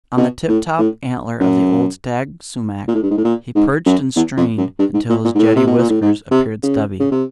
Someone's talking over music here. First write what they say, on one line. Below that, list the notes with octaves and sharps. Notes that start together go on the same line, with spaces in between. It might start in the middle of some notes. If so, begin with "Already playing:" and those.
On the tip-top antler of the old stag sumac, he perched and strained until his jetty whiskers appeared stubby.
B2
A2
A2
F#2
A#2
A2
G2
G#2
A2
A#2
G#2
F#2
E2
F2
F#2
G2
G#2
A#2
A#2
G#2
A2
C3
B2
A#2
A2
G#2
C3
C#3
C#3
C3